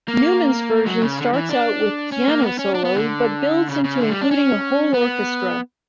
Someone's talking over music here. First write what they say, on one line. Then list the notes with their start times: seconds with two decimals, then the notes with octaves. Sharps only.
Newman's version starts out with piano solo, but builds into including a whole orchestra.
0.08 A#3
0.86 F#3
1.02 C#3
1.18 D3
1.34 E3
1.49 D4
2.12 C#4
2.28 A#3
2.43 B3
2.59 C#4
2.75 D4
2.85 B3
2.96 D3
3.69 C#3
3.84 C#3
4.00 D3
4.10 G3
4.21 D4
4.31 C#4
4.94 B3